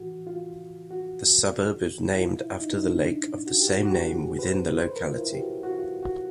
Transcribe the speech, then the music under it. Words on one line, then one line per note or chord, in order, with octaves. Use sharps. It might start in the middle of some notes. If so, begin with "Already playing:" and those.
The suburb is named after the lake of the same name within the locality.
Already playing: A2 E3 F#4
F4
F#4
E4
B2 F4
E4
D#4
D4
F#4
G4
F#4
F#4
G4
G#4
B4
C5
B2 C5
B4
A#4
F4
E4
G4
F#4
F#4
F4
F#4